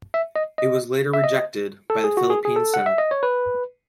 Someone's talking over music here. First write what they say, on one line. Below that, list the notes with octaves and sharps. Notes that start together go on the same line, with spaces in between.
It was later rejected by the Philippine Senate.
E5
D#5
D#5
E5
D#5
A4
G#4
F#4
G#4
G#4
A4
F#5
E5
D#5
C#5
B4